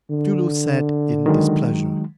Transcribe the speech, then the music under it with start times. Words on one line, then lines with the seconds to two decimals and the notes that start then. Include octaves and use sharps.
Tzu-lu said in displeasure.
0.11 D3
1.26 D#3 F#3 G#3